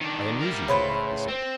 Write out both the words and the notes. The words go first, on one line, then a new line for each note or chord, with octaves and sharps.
"I amuse you, do I?" he said.
D#3 D4
G3 A#4
A2 C#3 B4 C5
C4